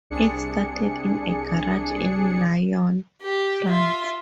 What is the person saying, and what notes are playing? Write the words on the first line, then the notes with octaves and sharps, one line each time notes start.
It started in a garage in Lyon, France.
C2 D4 G#4 C#7
G4
F4 E5